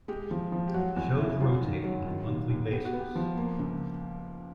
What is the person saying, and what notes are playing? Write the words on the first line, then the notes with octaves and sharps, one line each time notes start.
Shows rotate on a monthly basis.
G#3 G4
F3
F3
G4
F#3 F#4
E2 F#4
C#3 E4
F#3 F4
D#3
F#3
D#3
D#2
D#2
B3 G4
F#4
B3
G4
F3
A#3
C#2